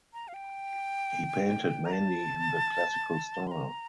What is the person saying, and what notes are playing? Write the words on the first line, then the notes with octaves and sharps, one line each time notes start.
He painted mainly in the Classical style.
A#5
F5
G5
A#5
A5
C6
A#5